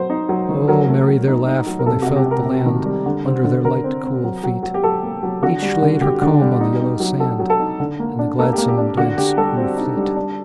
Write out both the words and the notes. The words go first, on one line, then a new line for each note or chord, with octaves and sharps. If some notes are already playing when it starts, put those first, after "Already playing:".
O merry their laugh when they felt the land Under their light cool feet! Each laid her comb on the yellow sand, And the gladsome dance grew fleet.
Already playing: F#3 C4 C5
D#4
F#3
D#3
F#3 A#4
A3
F#3
D#4
D#4
F#3
A#4
C3 A4
C3 F#4
G4
C3
A#4
C3
D#3
G3
D3
C4
D3
D3 A#4
C4
C4
F#3
F#3
F#3
G4
F#3 A4
A#3
F#3
D3 F#4
G3
D3
D3 G4
D3
G3
D#4
D#4
F#3
F#3 A4
F#3
A4
D#4
D3
A#3
D4
A#3 A4
A#3 G4
G4
D4
D3 F#4
D3 G4
G3 A4
C4
D#4
G3
D4